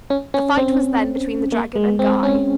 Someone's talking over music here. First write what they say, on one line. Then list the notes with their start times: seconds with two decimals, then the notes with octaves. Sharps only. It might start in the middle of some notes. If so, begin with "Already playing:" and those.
The fight was then between the dragon and Guy.
0.10 C#4
0.34 C#4
0.57 C4
1.52 A#3
1.76 G#3
1.99 C4
2.23 C#4